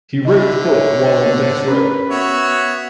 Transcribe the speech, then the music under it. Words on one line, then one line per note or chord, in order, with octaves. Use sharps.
He wrote the book while on death row.
D3 E4 D#5
C#5 E5
C#4 A#4 B4
B3 F#4 C#5 E5